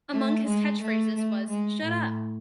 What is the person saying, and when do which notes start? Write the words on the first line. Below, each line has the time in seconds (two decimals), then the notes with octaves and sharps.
Among his catchphrases was Shut Up!!
0.12 A3
0.46 G#3
0.81 A3
1.15 A3
1.49 G#3
1.84 A2